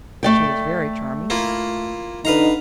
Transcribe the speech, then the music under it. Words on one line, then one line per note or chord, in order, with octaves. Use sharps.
She was very charming.
A3 D5 G5
A#3 E4 F4
D3 D#4 B4 F5 A#5